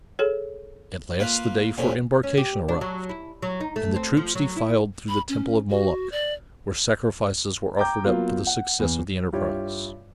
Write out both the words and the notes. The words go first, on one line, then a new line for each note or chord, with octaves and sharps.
At last the day for embarkation arrived, and the troops defiled through the temple of Moloch, where sacrifices were offered up for the success of the enterprise.
G#4 A4 C#5
A#3 F4 B4
F2 A#2 C#4
C#4
G4
D4
F#3
E4
F#3
D#4
A3
C4
F3
F#3
E4
B5
C#4
F#4
D5
G5 A#5 D6 G6
F#3 A#3 B3 F4
F#5
E2
G2 E4 F4 G4 C#5